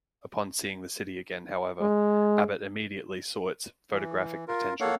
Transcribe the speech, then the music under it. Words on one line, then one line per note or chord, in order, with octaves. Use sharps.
Upon seeing the city again, however, Abbott immediately saw its photographic potential.
G#3
E3
F4 A#4
A#3 A4 C#5 F5 F#5